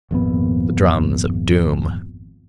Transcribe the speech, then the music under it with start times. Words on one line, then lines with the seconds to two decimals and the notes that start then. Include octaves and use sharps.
The drums of Doom!
0.11 G#1 F2 A#2 B3